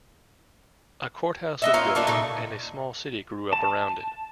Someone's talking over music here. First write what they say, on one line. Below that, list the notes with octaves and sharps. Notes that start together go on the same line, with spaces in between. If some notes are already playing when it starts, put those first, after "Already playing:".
A court house was built and a small city grew up around it.
B3 D#5 E5
A#3 C#4 F4 F5
A3 A#3 D4 F4
A#2 C#3 A3 D#4
A5